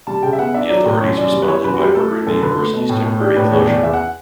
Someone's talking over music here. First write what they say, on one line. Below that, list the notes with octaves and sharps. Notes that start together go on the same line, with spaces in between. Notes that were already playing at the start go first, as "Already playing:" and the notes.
The authorities responded by ordering the university's temporary closure.
G3 A5
C#3 G5
E5
B3 F#5
D4 E5
F#3 D5
A2
F#2 C#5
F#2 D5
G3
B4
E3 C#5
F#2 B4
F#4
G3 G4
A3 A4
E4
F#2 A4
D3 B4
A3
B2
A2
A2
D4 G4
A2 B4
E2 C#5
E2 D5
E2 E5
F#5